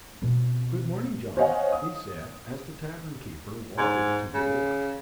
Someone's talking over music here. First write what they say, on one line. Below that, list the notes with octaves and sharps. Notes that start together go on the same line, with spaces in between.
"Good-morning, John," he said, as the tavern-keeper waddled to the door.
B2 C4
C5 C#5 D#5 F5 F#5 G#5
D#6
G#2
C#3